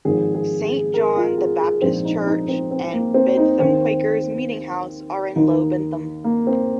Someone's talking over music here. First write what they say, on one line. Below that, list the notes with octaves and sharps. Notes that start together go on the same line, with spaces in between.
Saint John the Baptist Church and Bentham Quakers Meeting House are in Low Bentham.
G#1 G#2 F3 G#4
G#4
G#4
A#4
F4
G#4
G#4
A#1 G#2 F3 C4
D#4
D#4
C4
C4
A#3
C4
D#4
D#2 D#3 C4
D#2 D#3 D#4
A#3
C4